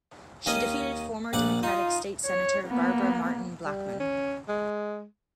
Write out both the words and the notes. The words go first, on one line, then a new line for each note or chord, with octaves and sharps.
She defeated former Democratic state Senator Barbara Martin Blackmon.
D#2 C#4 D#5
A#1 D5 F#5
D#4 F4
C#5
A#3 B3
G3
C#4
G#3